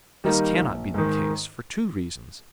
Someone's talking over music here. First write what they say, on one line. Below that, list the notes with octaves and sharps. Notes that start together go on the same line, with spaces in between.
But this cannot be the case for two reasons.
D#3 G3 A#3 D#4
A#1
G#2 D#3